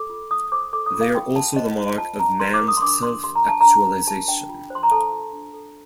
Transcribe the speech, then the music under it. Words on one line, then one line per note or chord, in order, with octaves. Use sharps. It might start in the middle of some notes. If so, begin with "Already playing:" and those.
They are also the mark of man's self-actualization.
Already playing: A4 D6
F4
F4 D#6
C5 D6
A4 D6
D#6
F4
F5
F4 G5
F4 A5
C5 D#5
C5
F4 A5
F4 A#5
A#4 C6
D6
A#4
D#6
C6
D4 D6
A#4 C6
G4 C6
A#5
D4 A5
D4 A#5
A#4
G4 A5
D4 G5
F4
C5 C6
A#5
A4 A5
F4
D4
A4